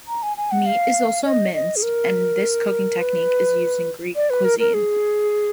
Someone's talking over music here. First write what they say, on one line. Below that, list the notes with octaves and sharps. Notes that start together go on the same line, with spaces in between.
Meat is also minced and this cooking technique is used in Greek cuisine.
A#5
G#5
G#5
F#5
F5
D#5
D#5
G#4
A#4
B4
D5
B4
A#4
A#4
G#4